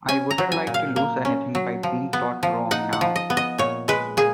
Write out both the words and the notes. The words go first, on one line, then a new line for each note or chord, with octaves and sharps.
I wouldn't like to lose anything by being taught wrong now.
C#4 G#5
A#5
F#3
G#5
A#2
F5
A#3
C#4
F#3
F3
B3
F3
D#4 F#5
F#5
F3
D#5
B3
D#5
A#2 C#5
G#3 B4
A#2 G#4